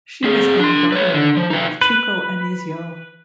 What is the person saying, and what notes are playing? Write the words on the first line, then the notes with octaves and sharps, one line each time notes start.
She has been a daughter-in-law of Chico Anysio.
C4 G#4
D4 C6
B4 C#5
D3
F3
D#4 B4
B4